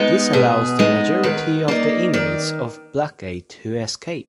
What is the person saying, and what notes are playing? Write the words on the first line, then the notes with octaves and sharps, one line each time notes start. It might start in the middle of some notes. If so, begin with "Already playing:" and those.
This allows the majority of the inmates of Blackgate to escape.
Already playing: G#3 B3 D#4
B2 G#4
G#3 B3 D#4
D#3 B4
A#3 D#4 D5
D#3 D5